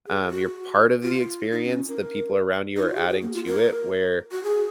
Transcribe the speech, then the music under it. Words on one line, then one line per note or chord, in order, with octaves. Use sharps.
Um, you're part of the experience, the people around you are adding to it; where,
G#4
F#4
F4
D#4
C#4
C4
C#4
A#4
D#4
F4
F#4
G#4
F#4
A#3
F4
A#4
F#4
G#4